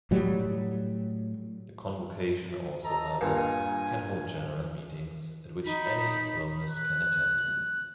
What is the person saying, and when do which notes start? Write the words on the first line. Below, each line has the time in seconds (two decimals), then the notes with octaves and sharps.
The convocation also, however, can hold general meetings, at which any alumnus can attend.
0.11 A2 F#3 G3
2.84 A4 D#5 A#5
3.21 G2 A#2 G#5
5.65 D#4 B5
6.69 F#6